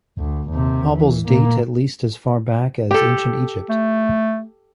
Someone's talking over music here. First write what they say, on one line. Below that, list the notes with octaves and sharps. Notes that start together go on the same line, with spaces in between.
Hobbles date at least as far back as Ancient Egypt.
D2
D#2 C3
E3
A#2 A#3
G4 A4
A3